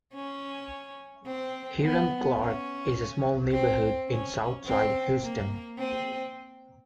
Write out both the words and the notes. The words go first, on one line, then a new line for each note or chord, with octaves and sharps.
Hiram Clarke is a small neighborhood in south side Houston.
C#4
C4
B3
C#4
C4
C#4
C4
A#3
C4